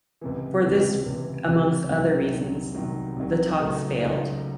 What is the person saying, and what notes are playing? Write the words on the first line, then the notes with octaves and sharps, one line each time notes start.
For this, amongst other reasons, the talks failed.
C#2 C3 E3
C#2 C3 E3
C#2 C3 E3
C#2 C3 E3
C2 C3 D#3 F#3
C2 C3 D#3 F#3
C2 C3 D#3 F#3
C2 C3 D#3 F#3
C#2 C#3 F#3 A3 D#4
C#2 C#3 F#3 A3 D#4